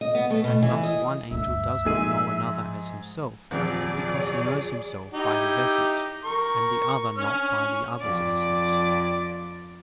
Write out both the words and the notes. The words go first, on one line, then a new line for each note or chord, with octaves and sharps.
And thus one angel does not know another as himself, because he knows himself by his essence, and the other not by the other's essence.
D#5
B3
A3
B2
E3
D#5
D2 G2 E5
G#2 F3 G#4 D#7
D#1 F2 F#3 G#4 D5
D#4 E4 G4
A#4 C#6
C#4 C#6 F6
F2 D5